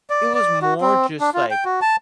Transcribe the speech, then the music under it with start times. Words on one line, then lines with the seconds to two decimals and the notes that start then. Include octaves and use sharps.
it was more just, like,
0.10 D5
0.34 D5
0.62 F#4
0.81 C4
1.20 D4
1.34 F4
1.51 G5
1.65 F#4
1.82 A5